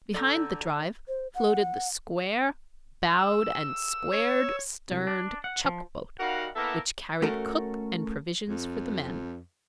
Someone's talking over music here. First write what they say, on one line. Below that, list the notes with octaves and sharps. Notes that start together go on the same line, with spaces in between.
Behind the drive floated the square bowed and square sterned chuck-boat, which carried cook and provisions for the men.
D3 A4 D5 A#5 E6 G6
C5
F#5
E6
C#5
C2
D4
F#5
F3
G3 D#4 F#4 A#4 F5 F#5
A#3 B3 E4 A4 A#4 E5
A3 C#4 F#4 A4 A#4
F2